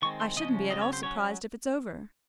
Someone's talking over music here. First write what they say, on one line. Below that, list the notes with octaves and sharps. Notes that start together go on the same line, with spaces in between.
"I shouldn't be at all surprised if it's over."
D#3 G#3 C4 C#6
C6
C#3 F3 G#3 C#4 D#5
C#3 F#3 C4 D#5
C#5
C5
F#3 C#4 C#5